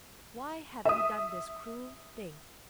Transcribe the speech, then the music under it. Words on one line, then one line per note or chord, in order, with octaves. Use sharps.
"Why have you done this cruel thing?"
E5 D#6